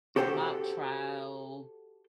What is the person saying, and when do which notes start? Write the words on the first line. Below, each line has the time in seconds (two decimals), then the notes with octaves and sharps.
mock trial,
0.16 F#4 G4 A4 C5 F#5 G5